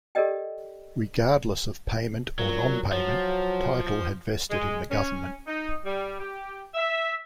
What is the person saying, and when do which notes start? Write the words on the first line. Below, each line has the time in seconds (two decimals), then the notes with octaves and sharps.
Regardless of payment or nonpayment, title had vested in the government.
0.15 G4 A4 A#4 D5 D#5 G5
2.39 A#2 F#3
2.93 F3 F#3
4.50 G#3
4.89 C#4
5.47 D#4
5.84 G3
6.18 G4
6.74 E5